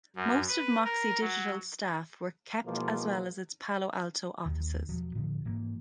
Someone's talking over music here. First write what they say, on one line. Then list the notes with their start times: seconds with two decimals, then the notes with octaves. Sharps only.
Most of Moxi Digital's staff were kept as well as its Palo Alto offices.
0.16 F#2
0.49 B4
0.84 A#4
1.21 F#3
2.65 B2 E3 F3 G#3 A#3
4.46 D#2 D#3
4.89 E1 F3 F#3
5.15 A2 D3 D#3 F3
5.45 G#2 E3 A#3